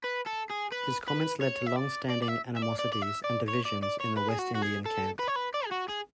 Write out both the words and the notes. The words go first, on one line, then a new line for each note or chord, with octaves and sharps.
His comments led to long-standing animosities and divisions in the West Indian camp.
B4
A4
G#4
B4
B4
C#5
E5
D5
D5
D5
E5
E5
D5
D5
D5
E5
D5
C#5
D5
D5
C#5
B4
G#4
F#4
F#4
G#4
A4
B4
C#5
B4
D5
G#4
F#4
G#4